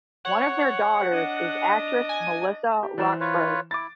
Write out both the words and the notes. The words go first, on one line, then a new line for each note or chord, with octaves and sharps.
One of their daughters is actress Melissa Roxburgh.
C#5 F#5
D4 D#5
G#5
G4
E3 G3 C5 D5 E7
F4 B4 C#5
E4 D6 A6